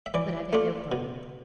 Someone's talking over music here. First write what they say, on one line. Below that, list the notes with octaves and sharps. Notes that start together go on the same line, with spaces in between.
But, I beg your pardon.
E5
E3 D5
A3 D4 F4
B2